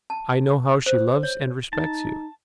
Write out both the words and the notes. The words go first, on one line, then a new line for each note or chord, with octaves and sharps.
I know how she loves and respects you.
A5
C5
C#5
D#4 A5